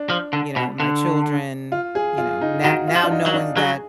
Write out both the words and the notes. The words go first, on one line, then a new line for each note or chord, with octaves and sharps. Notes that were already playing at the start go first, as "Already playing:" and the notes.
you know, my children, you know, no now knowing that
Already playing: D4
F3
D3
B2
D3
F4
G#4
F4
D#4
D#3 F#4
F4
F3
D4
D#4
F#3
D4
F#3 G#4